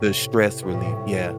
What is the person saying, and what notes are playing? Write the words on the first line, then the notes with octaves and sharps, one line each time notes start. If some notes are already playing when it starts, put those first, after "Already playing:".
the stress relief, yeah.
Already playing: A2 C3
G2
A2
A2